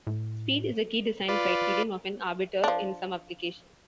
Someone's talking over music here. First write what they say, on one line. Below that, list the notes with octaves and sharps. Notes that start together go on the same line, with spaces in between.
Speed is a key design criterion of an arbiter in some applications.
A2
F4 B4 D5
F3 D4